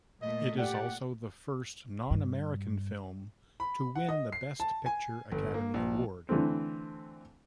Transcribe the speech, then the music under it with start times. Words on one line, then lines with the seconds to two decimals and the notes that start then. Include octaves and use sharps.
It is also the first non-American film to win the Best Picture Academy Award.
0.22 A#2 A3 D#5
0.58 G4 D5 F#5
2.11 G2
3.60 B5
3.95 F#5
4.09 D#5
4.32 C7
4.60 A5
4.86 G#5
5.32 G1
5.54 A#3
5.74 A#1
6.29 D3 E3 A3 C4